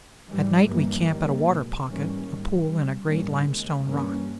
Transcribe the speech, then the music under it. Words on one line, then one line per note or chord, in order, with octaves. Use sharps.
At night we camp at a water pocket, a pool in a great limestone rock.
G#2 E3 G3
G1 G2 E3 G3 A#3
D#2 D#3 G3 A#3
B1 B2 G#3
G#2 E3 G3 A#3 C#4
G#2 D#3 G3
C#2 C#3 G3
A#1 G#2 G3 A#3 C#4
D#2 C#3 G#3
G2 E3 A#3 C#4